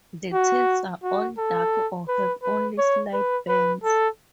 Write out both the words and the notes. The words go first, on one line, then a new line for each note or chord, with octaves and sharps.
The tails are all-dark or have only slight bands.
F#4
F#4
A4
B4
B4
C#5
B4
B4
A4